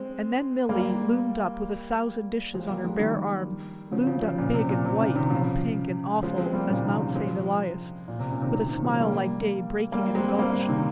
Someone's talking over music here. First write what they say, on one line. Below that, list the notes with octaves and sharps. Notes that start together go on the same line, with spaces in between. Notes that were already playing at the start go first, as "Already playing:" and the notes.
And then Milly loomed up with a thousand dishes on her bare arm--loomed up big and white and pink and awful as Mount Saint Elias--with a smile like day breaking in a gulch.
Already playing: G#3 C4
G3 A#3
F3 G#3
G3 A#3
F3 G#3
D#3 G3
C#3 F3
C#3 F3
C#3 F3
A#2 C#3
C3
A#2
C3
A#2 C#3
C3 D#3
C#3 F3
F3 G#3
G#3 C4
G3 A#3
A#2 C#3
C3 D#3
F3 G#3
F3 G#3
A#2
C3
A#2 C#3
C3 D#3
C3 D#3
C3 D#3
F3 G#3
G3 A#3
G3 A#3
G#3 C4
C4
G3 A#3
C3 D#3